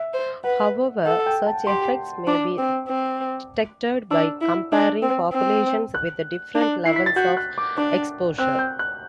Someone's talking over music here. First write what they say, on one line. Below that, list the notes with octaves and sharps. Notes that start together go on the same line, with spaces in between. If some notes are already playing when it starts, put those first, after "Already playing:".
However, such effects may be detected by comparing populations with different levels of exposure.
Already playing: E5
C5
B4 F#5
A4 F#5
G5
A5
G4 C6
D4 D6
C4
C4
D4 E6
E4
D4
C4
C4
F#6
D4
E4 C7
B6
A6
F#4 G6
F#6
D6
D4 D6
C4 F#6
G6
F#6